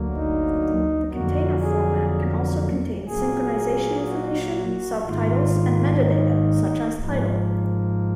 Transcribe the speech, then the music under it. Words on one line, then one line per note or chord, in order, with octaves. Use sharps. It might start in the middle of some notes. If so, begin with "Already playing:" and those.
The container format can also contain synchronization information, subtitles, and metadata such as title.
Already playing: D2 D3 F#3 A#3
D#4
F2 D3 F#3 A#3 F#4
G#4
A#2 F#3 A#3 G#4
F#4
G#2 D#3 A#3 F4
D#4
G#2 F3 A#3